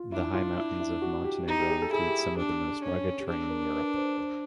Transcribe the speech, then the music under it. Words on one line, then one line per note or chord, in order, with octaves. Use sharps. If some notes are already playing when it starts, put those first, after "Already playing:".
The high mountains of Montenegro include some of the most rugged terrain in Europe.
Already playing: F4
D4 E4
F4
E4
E4
F#4
G4
D#4 G4
G4
G#4
A4
E4 G#4
G4
G4
D4
C#4
G4
D4 G#4
A#4
A#4
B4
C5
C5